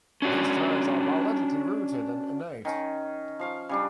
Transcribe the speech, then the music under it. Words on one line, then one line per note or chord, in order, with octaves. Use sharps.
These drives are biologically rooted and innate.
C#4 D4 F#4 C#5
D#3 C#4
F3 F5 C#6
C#3 G3 D4